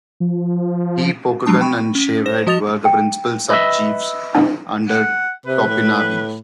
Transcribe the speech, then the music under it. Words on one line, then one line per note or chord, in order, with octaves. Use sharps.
He, Pokagon, and Shavehead were the principal sub-chiefs under Topinabee.
F3
F3 F#3 G#3 D4 A5 D#6
G5 B5 C#6
C#4
C5 A#6 E7
F3 F#4 D#5 D#6 A6 F7
G5
B4 D#5 E5
F#5
C3 B4
A2